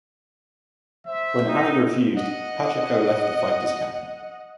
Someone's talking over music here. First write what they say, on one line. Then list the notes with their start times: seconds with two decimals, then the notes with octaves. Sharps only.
When Ali refused, Pacheco left the fighter's camp.
1.07 C5 E5
1.43 D#4
2.15 D#5 F#5